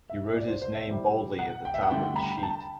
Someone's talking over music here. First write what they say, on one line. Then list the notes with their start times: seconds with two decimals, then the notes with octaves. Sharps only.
He wrote his name boldly at the top of the sheet.
0.10 E5
0.35 D5
0.48 C5
0.62 C5
0.75 E5
0.87 A2 G3
1.39 F#5
1.65 G5
1.74 E5
1.83 F#5
1.91 G2 D3 A3 G5
2.16 B5
2.37 G5
2.43 A5